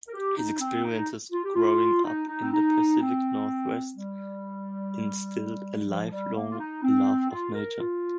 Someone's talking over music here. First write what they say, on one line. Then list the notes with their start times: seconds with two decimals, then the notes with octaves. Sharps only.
His experiences growing up in the Pacific Northwest instilled a lifelong love of nature.
0.08 A#4
0.14 G4
0.37 D#4
0.61 C4
0.85 D#4
1.33 F4
1.44 G4
1.55 F4
2.04 D#4
2.28 D#4
2.41 C4
2.52 D#4
3.01 C4
3.95 G3
5.87 F3
6.11 G3
6.35 A#3
6.52 F4
6.59 D#4
6.84 C4
7.31 F4
7.55 A#4
7.80 F4